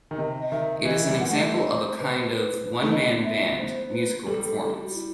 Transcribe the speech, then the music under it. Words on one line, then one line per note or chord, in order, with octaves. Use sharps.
It is an example of a kind of one-man-band musical performance.
D#3
C3 D#5
D#3 E5
E3 D#5
E5
G3
F#5
A3
E5
C4 D#5
C5
B4
B4
A3
B3 D#5
E5
C5
B4
G3 A4
A4
A4
F#4
E4